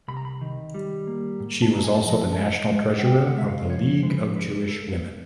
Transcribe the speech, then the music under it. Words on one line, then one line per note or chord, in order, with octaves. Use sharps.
She was also the national treasurer of the League of Jewish Women.
C2 B5
A#5
B5
D#3
G3
A#3
G#2
A5
G#3 A#5
G#5
A5
F3 D#5
E5
A5
G#3 G#5
G#3
F#5
C3 G5
F#5
G#3 E5
F5
F3 C#5
G#3 C5
B4
C5
G2 B4
A4